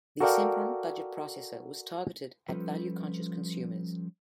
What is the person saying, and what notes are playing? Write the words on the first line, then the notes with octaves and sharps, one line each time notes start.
The Sempron budget processor was targeted at value-conscious consumers.
F#4 A4 A#4 D5 F5 G5
F3 G3 C#4 F4 A4 B4